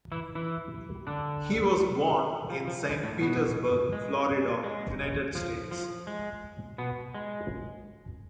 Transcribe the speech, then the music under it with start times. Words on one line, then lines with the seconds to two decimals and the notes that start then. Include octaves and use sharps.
He was born in Saint Petersburg, Florida, United States.
0.12 E3 E4
0.35 E3 E4
1.07 D3 D4
2.50 F3
2.67 F3
2.85 G#3
3.03 A2 A3
3.21 B2 B3
3.93 G#3
4.64 G#3
5.35 F3
5.71 F3
6.07 G#3
6.78 B2 B3
7.14 G#3